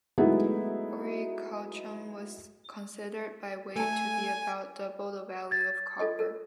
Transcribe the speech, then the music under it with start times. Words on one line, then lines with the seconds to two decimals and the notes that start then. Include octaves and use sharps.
Orichalcum was considered, by weight, to be about double the value of copper.
0.18 F#3 G#3 A3 B3 D#4 E4
3.76 A3 A4 G#5
5.51 G#6 A6
5.99 F4 A4 D#5
6.19 A4 A#4